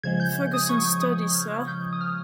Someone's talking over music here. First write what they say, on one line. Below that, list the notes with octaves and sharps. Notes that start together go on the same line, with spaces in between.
Ferguson's study, sir?
C#3 F3 G#3 G#6
G6
D#6
C#6
D#6
F6
G6
D#6
F6